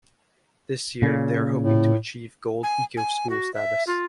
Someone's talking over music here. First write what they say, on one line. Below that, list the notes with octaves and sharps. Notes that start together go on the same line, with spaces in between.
This year they are hoping to achieve Gold Eco-School status.
A#2 C#3
A2
G#5
G#5
F#4
E5
F4